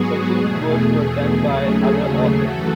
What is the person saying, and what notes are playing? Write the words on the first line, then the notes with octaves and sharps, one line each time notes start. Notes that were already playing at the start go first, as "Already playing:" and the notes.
Subsequent works were done by other authors.
Already playing: G#2 F#3 B3 F#4 G#4
E2 B2 A3 G#4
G#4
D#2 C#3 F#3 A3
G#4
F#2 E3 A3 F#4 A4